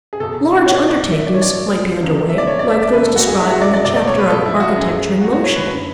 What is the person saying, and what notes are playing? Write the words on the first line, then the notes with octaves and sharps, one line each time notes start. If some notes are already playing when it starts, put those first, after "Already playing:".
Large undertakings might be under way, like those described in the chapter on Architecture-in-Motion.
G#4
E2 B2 A4
C#5
D5
A2 E3 E5
D5
C#5
D5
E2 C#3 E3
E5
D5
C#5
D5
E5
D5
F#2 C#3 E3 B4
A4
F#4
G#4
E4
F#4
D5
D5
E2 B2 D5
D5
C#5
B4
A4
E4
F#4
F#2 E3 G#4
F#4
F#4
C#5
B4
F#2 D3